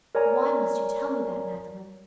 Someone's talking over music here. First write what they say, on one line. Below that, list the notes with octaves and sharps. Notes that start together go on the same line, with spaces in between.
"Why must you tell me that, Magdalen?"
A#4 C#5 D5 G#5 A#5